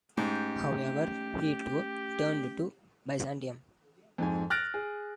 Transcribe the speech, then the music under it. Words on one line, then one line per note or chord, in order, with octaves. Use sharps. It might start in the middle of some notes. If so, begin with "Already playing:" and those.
However, he too turned to Byzantium.
G#2 A3 C4 C#4 G4
F2 G#2 G#5
F6 F#6 A6 A#6 D7
G#4